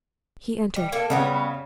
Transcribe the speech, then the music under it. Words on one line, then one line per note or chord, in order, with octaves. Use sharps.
He entered.
G3
A#3 A4
C#3 G3 B3 C#4